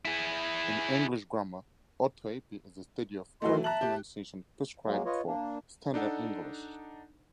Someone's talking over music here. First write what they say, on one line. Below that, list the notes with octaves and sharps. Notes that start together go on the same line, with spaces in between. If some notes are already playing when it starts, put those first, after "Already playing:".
In English grammar, orthoepy is the study of correct pronunciation prescribed for Standard English.
E4 G#4
E3 F#3 A3 E4 D#5 C6
E5 A5 A#5 F#6 F#7
G4
F#3 G#3 A#3
F4 B4 C#5 D#5
A#3 D4
D4 D#4 A4 F#5